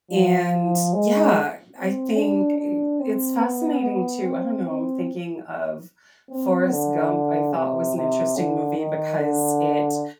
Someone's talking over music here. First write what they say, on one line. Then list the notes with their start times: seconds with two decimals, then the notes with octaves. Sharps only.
and, yeah, I think eh it's fascinating, too I don't know, I'm thinking of Forrest Gump, I thought was an interesting movie because it
0.11 F3
0.93 G#3
1.76 C4
2.17 D4
2.58 D4
3.00 C4
3.40 B3
3.82 B3
4.23 C4
4.65 C4
6.30 C4
6.71 D3
7.53 C3
7.95 C3
8.37 D3
8.77 D#3
9.19 D3